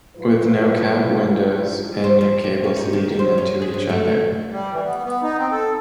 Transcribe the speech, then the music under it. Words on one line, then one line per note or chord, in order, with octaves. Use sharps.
With no cab windows and new cables leading into each other.
G#2 F3 F#3 E4 F4 B4
C5
F3
G4
C#4
D#4
D#3
C5
C#4
G#4
G2
A3
G3
E3
B3
B3
D#4
C4
A4